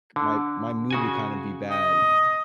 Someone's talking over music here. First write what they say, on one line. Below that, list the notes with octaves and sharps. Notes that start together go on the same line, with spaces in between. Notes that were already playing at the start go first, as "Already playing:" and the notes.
my my mood would kind of be bad,
D3
C#3 F#4 G#5
D#5